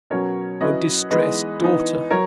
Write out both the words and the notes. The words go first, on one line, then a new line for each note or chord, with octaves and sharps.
Your distressed DAUGHTER.
B2 F#3 C#4 A#4 C#5
F#3 C#4 E4 B4 D#5
E3 G#3 B3 D#4 B4 D#5
E3 B3 D#4
F#3 A#4 C#5